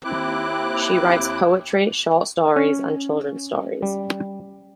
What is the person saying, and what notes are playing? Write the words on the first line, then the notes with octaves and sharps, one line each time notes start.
She writes poetry, short-stories and children's stories.
D#2 C4 E4 D6 F#6
C#4
G3